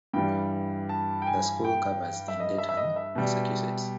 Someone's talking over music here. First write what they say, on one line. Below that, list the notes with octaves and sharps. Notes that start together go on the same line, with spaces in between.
The school covers in Dedham, Massachusetts.
G2 E3 G3 G5
A5
G5
G#5
G5
E5
D#5
E5
E5
D#5
E5
B2 G3